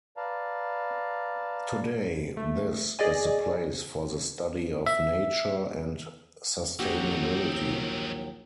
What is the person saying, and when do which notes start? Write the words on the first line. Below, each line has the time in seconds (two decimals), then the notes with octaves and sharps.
Today this is the place for the study of nature and sustainability.
0.17 B4 D5 F5 A5 A#5
2.37 A3
2.99 G#4 D5 D#5 G#5
4.86 E5
6.79 A#1 D#2 F#3 C4 D#4 F#4 G4 G5